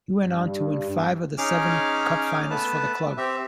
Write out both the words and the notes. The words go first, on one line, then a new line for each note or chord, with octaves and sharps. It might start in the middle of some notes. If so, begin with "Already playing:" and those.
He went on to win five of seven cup finals for the club.
G2
C#4 D#4 G#4 D6 F6
A3 B3 B4 A5
C4 G4 E5